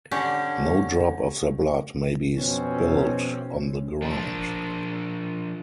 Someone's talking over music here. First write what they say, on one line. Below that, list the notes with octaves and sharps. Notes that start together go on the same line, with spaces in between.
No drop of their blood may be spilt on the ground.
D3 C#4 G4
F2 B2 C4 C#4
F3 D4